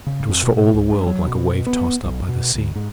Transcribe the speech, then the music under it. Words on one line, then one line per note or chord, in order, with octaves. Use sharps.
It was for all the world like a wave tossed up by the sea.
C#3
F2
B2
C#2
G2
F#3
B2
B3
B1
B2
D2
G#2